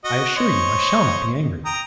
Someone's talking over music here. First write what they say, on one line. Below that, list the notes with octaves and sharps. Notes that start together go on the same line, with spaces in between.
"I assure you I shall not be angry with you."
F#4 D#5
C5 C#5 D#5
G5 A#5 D#6